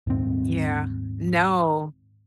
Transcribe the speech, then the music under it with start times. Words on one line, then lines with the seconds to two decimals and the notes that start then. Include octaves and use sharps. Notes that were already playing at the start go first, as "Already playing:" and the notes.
Yeah. No.
0.07 D#1 G#2 C4